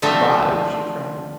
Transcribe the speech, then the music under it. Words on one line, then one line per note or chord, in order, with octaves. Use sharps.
"Good-bye!" she cried.
D3 F3 A3 C4 E5